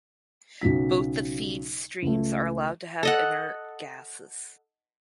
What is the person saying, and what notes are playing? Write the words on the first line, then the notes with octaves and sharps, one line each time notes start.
Both the feed streams are allowed to have inert gases.
B1 C#3 F#3 B6
C#2 A3
A4 D#5 F#5